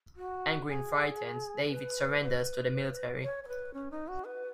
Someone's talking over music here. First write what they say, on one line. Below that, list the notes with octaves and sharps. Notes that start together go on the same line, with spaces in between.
Angry and frightened, David surrenders to the military.
F#4
G#4
B4
B4
C#5
C#5
B4
C#4
D#4
F#4
B4